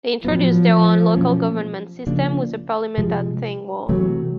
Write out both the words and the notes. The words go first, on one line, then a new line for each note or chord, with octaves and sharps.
They introduced their own local government system with a parliament at Thingwall.
A2 F3 F#3 B3
B2 F#3 A#3 C#4
C#3 F3 A#3 D4
C3 F3 G#3
C3 E3 F#3 A3